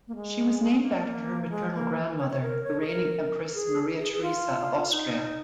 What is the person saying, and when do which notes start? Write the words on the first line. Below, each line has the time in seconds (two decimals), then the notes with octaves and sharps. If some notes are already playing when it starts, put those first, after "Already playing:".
She was named after her maternal grandmother, the reigning Empress Maria Theresa of Austria.
0.08 A#3
0.15 G#3
0.83 A#3
1.51 G#3
1.74 A#3
2.19 C#5
2.30 C#5
2.42 A#4
2.64 C#5
2.81 G#4
2.86 A#4
3.45 A#4
3.54 G#4
3.99 G#4
4.13 G#4
4.22 F4
4.91 D#4